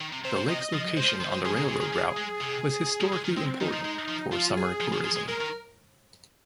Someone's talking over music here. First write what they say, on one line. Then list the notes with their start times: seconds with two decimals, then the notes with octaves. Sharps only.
The lake’s location on the railroad route was historically important for summer tourism.
0.01 D#3
0.13 C3
0.25 C3 C5
0.36 C3
0.48 C3 D#5
0.73 F3
0.97 G#3 C5
1.09 F3
1.20 D#3
1.32 G#3
1.44 F3 G#4
1.57 A#2
1.68 C3
1.81 D#3
1.93 F3
2.17 G#3
2.41 C3
3.01 F3
3.13 G#3
3.25 D#3
3.37 G#3 C4
3.61 D#3 D#4
3.73 F3
3.85 G#3
4.08 F3
4.32 F3 F4
4.57 G#4
4.80 F3
4.93 F3
5.05 F3
5.16 G#3
5.28 G#3 A#4
5.41 D#3